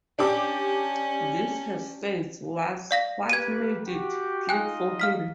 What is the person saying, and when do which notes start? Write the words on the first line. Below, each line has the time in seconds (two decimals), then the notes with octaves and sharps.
This, he says, was what made it "click" for him.
0.19 C#4 D4 G4 D6
2.91 D5 F5 A#6
3.29 A#3 G4 B4 G#6 D7 D#7
3.86 F#4 G4
4.49 D#4 F4 D#5 G5 G#5 F#6
5.00 F5 F6 B6